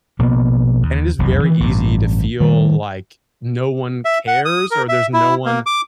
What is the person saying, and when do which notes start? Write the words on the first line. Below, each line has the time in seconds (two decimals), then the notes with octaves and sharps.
and it is very easy to feel like no one cares or there's no one,
0.19 A#1 B2 A#3 B3
0.83 D#2
1.19 F1 B1 E2 B2
1.41 D#3 E3
1.60 A1 G2
2.40 D#3 G3 A3
4.05 E5
4.27 F#5
4.45 D#6
4.71 A#4
4.89 E5
5.14 E4
5.46 A#3
5.66 D6